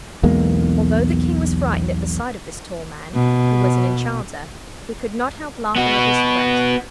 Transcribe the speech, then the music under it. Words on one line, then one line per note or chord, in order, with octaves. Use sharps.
Although the King was frightened at the sight of this tall man, who was an enchanter, he could not help laughing at his threat.
B1 E2 G#3 A#3
B2
B3 F#4